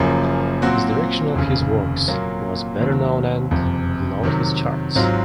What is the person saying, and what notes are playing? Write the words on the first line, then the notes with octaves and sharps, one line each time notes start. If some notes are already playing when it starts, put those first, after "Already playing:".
His direction of his works was better known and loved his charts.
Already playing: F#1 F#2 F3 A#3 C#4
A#2 F#3 C4 F#4 C5
F1 D#2 C#3
A#2 F#3 A#3 F4
D#2 D#3 F#3 C4
F#1 F2 C3
C3 D#3 F#3
G#1 G#2 F#3 C4 F4